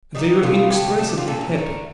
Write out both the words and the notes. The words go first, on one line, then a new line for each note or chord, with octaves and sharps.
They were inexpressibly happy.
C3 D#3 G3 D#4
C3 D#3 A3 F4
D3 A3 G4
C3 G3 A4
G4
F4
A#2 A3 A4
A#4
D3 A3 A#4